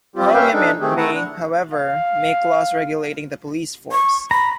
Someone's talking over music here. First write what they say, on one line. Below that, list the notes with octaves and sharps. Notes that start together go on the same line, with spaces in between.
Parliament may, however, make laws regulating the police force.
G3 C4 F4 G4
A#3 C#4 B4 E5 F5 G5
D4 D#4 A4
D#3 A3 C4 G4 G#4
A3 E4 F#5 A5 A#5
D4
F5
C#6
A#5 B5